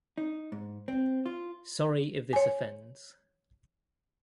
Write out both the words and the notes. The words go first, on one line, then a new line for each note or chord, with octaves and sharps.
Sorry if this offends.
D#4
G#2
C4
F4
C#5 G#5